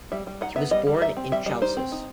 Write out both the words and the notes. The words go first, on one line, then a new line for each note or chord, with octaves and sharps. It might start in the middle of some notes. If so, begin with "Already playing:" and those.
He was born in Chalcis.
G3 E5
G3
D#4 F#5
B3 E5
G3 D#5
G3
D#4 E5
C4
G3 E5
G3 D#5
D#4 C5
C4
D#4